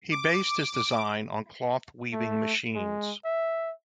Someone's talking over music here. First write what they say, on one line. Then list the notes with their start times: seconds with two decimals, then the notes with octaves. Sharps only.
He based his design on cloth weaving machines.
0.12 D6
2.13 A3
2.75 G#3
3.25 E5